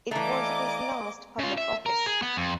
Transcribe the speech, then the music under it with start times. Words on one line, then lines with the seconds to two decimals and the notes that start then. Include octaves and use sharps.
It was his last public office.
0.11 E3 A3 D5 D#5 F5 G#5 A#5 D6
1.39 C#3 F4
1.58 E5
1.86 A#4
2.06 G#4
2.22 B3
2.37 F2